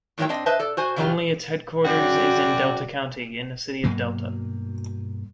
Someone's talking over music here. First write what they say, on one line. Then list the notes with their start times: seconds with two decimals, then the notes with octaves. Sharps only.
Only its headquarters is in Delta County, in the city of Delta.
0.18 E2 A2 D#3 F#3 C#5 G5
0.29 C4 D4 D#5
0.46 B4 C5 D#5 E5 A5
0.59 A4 D5
0.77 F#4 C5 G#5
0.96 C#3 E3 F#3 E4 F4 G4
1.85 F#2 C#3 F#4 D5 G5
3.84 G2 B2 F#3 A#3